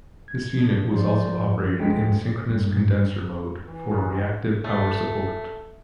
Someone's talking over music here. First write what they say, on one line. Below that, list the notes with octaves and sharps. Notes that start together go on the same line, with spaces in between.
This unit was also operated in synchronous condenser mode for reactive power support.
G#6
D4
F3 C5 D5 C6
D2 G#3 G5 B6
G2 G#3
E3
A#2 C#3 B3
G#3 C4
A3 A4